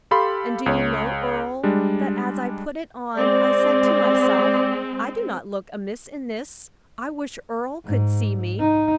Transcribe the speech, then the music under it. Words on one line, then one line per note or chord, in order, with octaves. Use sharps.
"And do you know, Earle, that as I put it on I said to myself, I do not look amiss in this; I wish Earle could see me."
G4 A4 F5 B5 C6
C#2 C#5
G3 G#3 D4
G#3 C4 D5
G#2
D#4